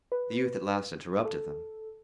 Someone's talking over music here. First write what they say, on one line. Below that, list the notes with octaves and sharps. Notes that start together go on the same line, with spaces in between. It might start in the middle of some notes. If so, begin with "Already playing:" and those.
The youth at last interrupted them.
B4
A4